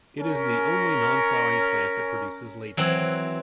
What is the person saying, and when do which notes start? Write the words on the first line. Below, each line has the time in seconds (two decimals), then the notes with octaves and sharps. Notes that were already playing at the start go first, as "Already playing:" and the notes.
It is the only non-flowering plant that produces latex.
0.20 C#4 A#4
2.77 E3 F#3 C4